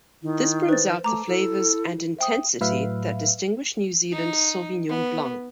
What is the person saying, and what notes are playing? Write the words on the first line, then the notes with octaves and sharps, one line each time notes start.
This brings out the flavors and intensity that distinguish New Zealand Sauvignon blancs.
D#3 E4
B4 C5 A6
A3 A#5 D6
E4 A4
C5 E5 G5 D#6
A2 F#3 B4 E5 F5
D#4
B3